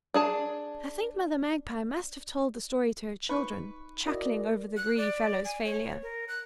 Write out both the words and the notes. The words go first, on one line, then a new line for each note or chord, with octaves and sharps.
I think Mother Magpie must have told the story to her children, chuckling over the greedy fellow's failure.
D4 G#4 A5
D#4 B4 C#6
E4 F#4 A#4 D5 D#5
F#6
D5
G#5
C#5
A#4
F#6